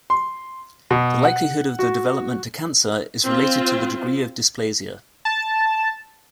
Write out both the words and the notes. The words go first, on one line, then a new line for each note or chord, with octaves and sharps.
The likelihood of the development to cancer is related to the degree of dysplasia.
C6
B2
F#5
F#4
C4 F4
A5